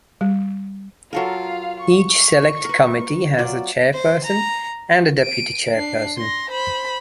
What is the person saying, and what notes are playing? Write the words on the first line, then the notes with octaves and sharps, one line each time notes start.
Each select committee has a chairperson and a deputy chairperson.
G3
F#3 F4 A4 A#4 F5
C#6
A#4 B4
F#3 F4 D5
C5
A#5
D7 D#7
D4 C7
C6 A#6
C5 B5